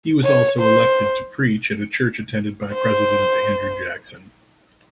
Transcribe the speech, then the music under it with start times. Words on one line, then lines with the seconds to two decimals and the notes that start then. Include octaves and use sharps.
He was also elected to preach at a church attended by President Andrew Jackson.
0.24 C#5
0.60 C5
2.74 C5